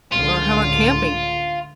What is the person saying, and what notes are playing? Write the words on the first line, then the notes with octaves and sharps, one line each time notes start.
Or how 'bout camping?
C#2 A2 D3 F4